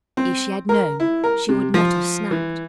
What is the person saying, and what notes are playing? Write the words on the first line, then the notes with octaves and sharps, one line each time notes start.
If she had known she would not have snapped.
C4
A#4
E4
A#4
C3
F3
E3